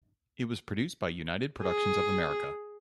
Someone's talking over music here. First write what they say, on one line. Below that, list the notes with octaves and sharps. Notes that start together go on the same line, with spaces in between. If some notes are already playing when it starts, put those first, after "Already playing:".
It was produced by United Productions of America.
G#4